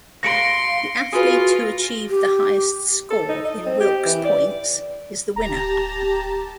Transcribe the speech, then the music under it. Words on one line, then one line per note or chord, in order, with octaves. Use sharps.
The athlete who achieved the highest score in Wilks points is the winner.
F5 C6 A#6 C#7 D7
F4 F#4 G#4 B4
G4
A4
D#4
D#5
C4
G4
E3
D5
D1 G4 A5 A#5